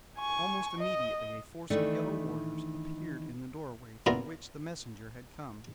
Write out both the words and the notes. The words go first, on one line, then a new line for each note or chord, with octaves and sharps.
Almost immediately a force of yellow warriors appeared in the doorway through which the messenger had come.
G#5 C#6
D#5
D#3 E3 A3 D4
A#2 B3 E4 F4 A#4